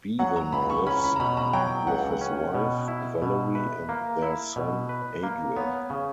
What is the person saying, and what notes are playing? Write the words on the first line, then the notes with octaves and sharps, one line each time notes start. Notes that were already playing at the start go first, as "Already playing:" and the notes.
Bevan lives with his wife, Valerie, and their son, Adrian.
F#3 F#5
A#5
C#2 B5
C#6
C#4 B5
B5
A#5
B2 B5
A#5
F#3 G5
C#2 F#5
C#4
B2
E4
B2
B4 E5
A#3
E4
B2
B4
A#3
B3 C#5
C#3